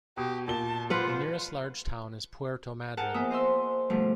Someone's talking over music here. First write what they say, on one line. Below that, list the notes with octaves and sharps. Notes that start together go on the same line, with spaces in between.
The nearest large town is Puerto Madryn.
B2 G4
A#2 A5 G7
F4 B4 C5 F#5
G#4 A#4 F#5 G5 A5 A#5
F2 A#3 B3 E5 G#5 D#6
C5 D#5 C6 E6
G2 B2 F3 G3 A3